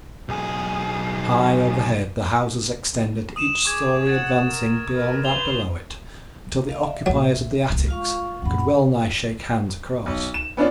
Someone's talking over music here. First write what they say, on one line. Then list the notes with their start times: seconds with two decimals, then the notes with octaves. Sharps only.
High overhead the houses extended, each story advancing beyond that below it until the occupiers of the attics could well-nigh shake hands across.
0.29 B1 G#4
3.36 D#6 D#7 E7
3.65 G#4 C#6 D6 G#6
4.07 F#5 G#6 A6
4.47 A#4
4.93 A#4 B4
5.24 B4 C5 G6 F7 G7
6.69 D5 D#5 F5
6.84 E5
7.06 C2 A#2 F#3
7.69 D#1 C2
7.88 G#3 F4 F5 C#6
8.42 F#2 A#2 F#5 B5
10.06 B1
10.34 E7
10.57 B3 C#4 D4 F4 D5